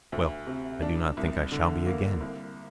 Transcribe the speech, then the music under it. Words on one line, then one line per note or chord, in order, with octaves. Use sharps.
Well, I do not think I shall be again.
D2
C3
D4
C2
D3
A#3
C2